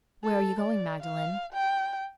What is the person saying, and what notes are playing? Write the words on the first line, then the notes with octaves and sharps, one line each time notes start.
"Where are you going, Magdalen?"
A4
D5
F5
G5